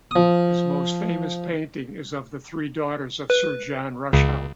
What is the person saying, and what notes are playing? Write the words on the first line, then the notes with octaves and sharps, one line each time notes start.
His most famous painting is of the three daughters of Sir John Rushout.
F3 D#6
B4
C#2 C#3